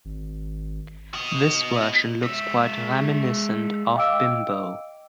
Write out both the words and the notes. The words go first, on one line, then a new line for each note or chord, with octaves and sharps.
This version looks quite reminiscent of Bimbo.
G#1
F#4 D#5
G#3 E5
D#5 F5 G5 D6 E6 D7